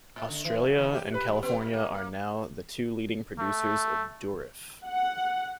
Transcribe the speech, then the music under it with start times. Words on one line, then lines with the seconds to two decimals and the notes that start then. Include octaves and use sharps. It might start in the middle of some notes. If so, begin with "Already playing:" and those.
Australia and California are now the two leading producers of Durif.
0.16 A2
0.29 D3
0.45 E3
0.65 F#3
0.78 D#2
0.94 G4
1.14 B4
1.30 G3
1.43 B3
1.61 G#2
1.73 A#3
1.95 A#3
3.39 A3
4.85 F#5